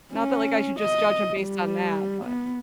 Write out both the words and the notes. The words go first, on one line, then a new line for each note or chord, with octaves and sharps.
Not that, like, I should just judge him based on that, but
C#4
D#5
G3
B3